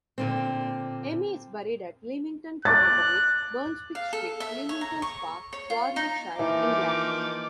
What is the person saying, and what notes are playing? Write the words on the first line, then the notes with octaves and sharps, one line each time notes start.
Amey is buried at Leamington Cemetery, Brunswick Street, Leamington Spa, Warwickshire, England.
A#2 D3 C4
D6 F#6 A6
F5
A4
E5
C#5
A#5
C#6
C#5
F4
D#4
E3 F3 A#3 D#4 D6